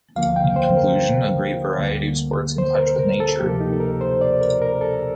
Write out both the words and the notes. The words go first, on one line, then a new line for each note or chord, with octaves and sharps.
In conclusion, a great variety of sports in touch with nature.
D2 D3 F3 A#3 F5
G5
C5
A#4
D2 D3 G3 A#3
C5
A#4
A#4
A4
D2 C3 F3 A#3 G4
D#4
A4
A#4
C5
D5
A#4
A#4
A4